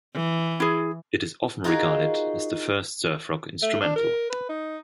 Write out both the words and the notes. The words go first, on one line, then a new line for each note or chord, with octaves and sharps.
It is often regarded as the first surf rock instrumental.
E3
E4 G#4
D#4 F4 F#4 G#4 A#4
A3
D4
A#4
B4
D#4